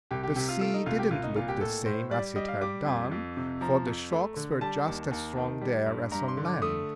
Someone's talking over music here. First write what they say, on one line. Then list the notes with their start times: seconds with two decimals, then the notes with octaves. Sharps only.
The sea did not look the same as it had done, for the shocks were just as strong there as on land.
0.11 C2 G4
0.23 G4
0.36 C3 G4
0.49 F4
0.61 A3 F4
0.74 D#4
0.86 C2 F4
0.99 G4
1.11 C2 F4
1.23 D#4
1.36 A#2 F4
1.48 G4
1.61 A2 A4
1.85 A2 C5
2.11 G3 D5
2.36 G3 D#5
2.48 F5
2.61 G3 D6
2.86 F2
3.11 F2
3.37 C3
3.61 F3 A#5
3.86 F2
4.11 A3
4.36 D3
4.61 G3 A5
4.86 D#2
5.11 D#2
5.37 D#3
5.62 G3
5.86 G2
6.11 G2 A#5
6.28 C6
6.37 D3
6.45 D6
6.62 A3 D#6